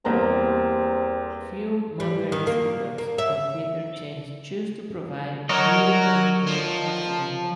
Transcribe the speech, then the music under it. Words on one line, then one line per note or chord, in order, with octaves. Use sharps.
Few movie exhibitors or theater chains choose to provide Rear Window captioning.
E2 G2 A#3 C4 A#4 A#5
G3
D#3
A#3
A#3
E5
F#3 A#4 C#5 D#5
F3